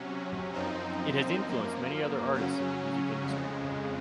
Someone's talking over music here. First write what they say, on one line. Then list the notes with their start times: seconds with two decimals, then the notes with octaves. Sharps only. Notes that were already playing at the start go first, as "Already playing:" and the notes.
It has influenced many other artists in the music industry.
Already playing: C3 F#3 C#4
0.54 F#2 F3 C4 D#4
1.44 F#2 F3 A#3
2.34 C#3 F#3 C#4
3.24 F2 C#3 G#3